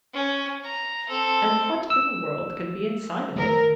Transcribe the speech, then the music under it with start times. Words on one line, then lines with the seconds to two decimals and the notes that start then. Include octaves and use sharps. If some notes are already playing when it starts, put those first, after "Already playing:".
"And what in the world can be inside of it?"
0.14 C#4
0.64 A#5
1.08 C4 A4
1.90 E6
3.36 D#3 A3 A#4